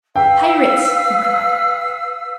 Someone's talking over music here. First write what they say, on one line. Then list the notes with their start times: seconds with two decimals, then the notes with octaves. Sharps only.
"Pirates!" he cried.
0.16 B4 F5 G5 E6